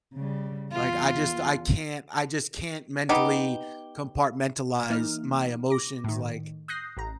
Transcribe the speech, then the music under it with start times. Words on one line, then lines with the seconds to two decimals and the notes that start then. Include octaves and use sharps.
Like, I just I can't I just can't mentally compartmentalize my emotions. Like,
0.14 C#3 G3
0.72 E2 F4
3.09 B3 D#4 G4
4.90 E3 A#3 D#4 F6
5.70 D6 A#6
6.04 A2 D#3
6.68 D#6 F#6 G6 A#6 C7
6.97 A1 A#5